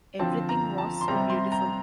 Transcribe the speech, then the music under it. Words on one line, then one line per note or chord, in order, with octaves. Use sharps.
Everything was so beautiful!
D3 F3 C4 A5
A#5
A5
C6
C3 G3 C4 A#5
C6
A#5